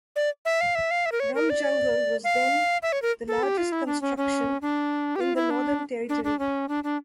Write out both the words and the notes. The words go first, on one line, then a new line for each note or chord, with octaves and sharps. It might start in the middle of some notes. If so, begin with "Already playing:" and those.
Rum Jungle was then the largest construction in the Northern Territory.
D5
E5
F5
E5
F5
E5
A#4
C#5
A#4
D5
F5
E5
C#5
A#4
A4
G4
F4
E4
D4
C#4
C#4
D4
G4
F4
E4
D4
D4
D4
C#4
D4
D4